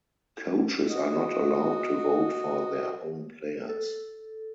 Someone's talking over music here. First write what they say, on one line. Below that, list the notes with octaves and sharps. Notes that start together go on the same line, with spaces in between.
Coaches are not allowed to vote for their own players.
F#4 D#5
A4